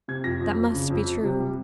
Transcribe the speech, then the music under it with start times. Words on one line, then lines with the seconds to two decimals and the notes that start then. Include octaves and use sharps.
That must be true.
0.08 C3 G#6
0.24 F2 A#6
0.41 F2
0.57 F2
0.74 C#3
0.90 F2
1.08 F3
1.24 C3
1.40 G3